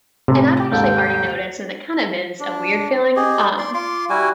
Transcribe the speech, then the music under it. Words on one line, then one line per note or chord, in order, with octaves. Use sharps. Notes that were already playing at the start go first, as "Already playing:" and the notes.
And I've actually already noticed, and it kind of is a weird feeling, um,
A2 C3 A4
D#2 G#2 A4 G5
D4
G4 G#4 D#5
D5 C6
F4 C6 D6
G3 E4 F#4 G#5